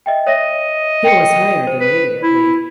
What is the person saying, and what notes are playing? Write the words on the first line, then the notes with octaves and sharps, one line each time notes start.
He was hired immediately.
D#5 E5 G5
C#5 D#5 E5 A#6
G5 C7 C#7
C5
B4
E4